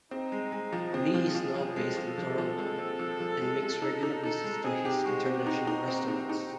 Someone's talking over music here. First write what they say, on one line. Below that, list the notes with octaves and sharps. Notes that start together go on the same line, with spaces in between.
Lee is now based in Toronto, and makes regular visits to his international restaurants.
C4 D#4
G#3
G#3
F3
C4 G#4
F3
F3
F3
G#3 A4
F3
F3
F3
G#3
C4
F3
F3
G#3
G#3
D#4
D#4
D#4 A4
G#3
C4 G#4
G4
G#3 F#4
C4
D#4
D#4
C4
D#4
D#4